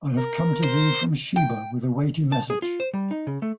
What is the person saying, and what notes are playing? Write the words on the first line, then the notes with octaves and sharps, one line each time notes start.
I have come to thee from Sheba with a weighty message.
A#4
C5
G5
A5
G#4
F4
C5
G3
D#4
C#3
A3